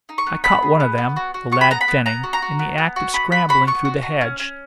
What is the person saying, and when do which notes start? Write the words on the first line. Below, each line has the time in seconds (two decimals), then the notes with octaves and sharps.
I caught one of them--the lad Fenning--in the act of scrambling through the hedge.
0.09 D#4
0.18 C#6
0.27 B3
0.44 B3 B5
0.62 G#4
0.80 B3
0.98 B3
1.16 F#4
1.34 F#4
1.52 B3 C#6
1.61 B5
1.71 B3 A#5
1.81 B5
1.88 B3
2.06 B3 A#5
2.23 F#4
2.33 A#5
2.42 F#4
2.59 B3
2.78 B3
2.96 F#4
3.14 B3 B5
3.32 B3 B5
3.49 F#4 B5
3.67 B3 C#6
3.85 F#4
4.03 F#4
4.21 C#4
4.40 C#4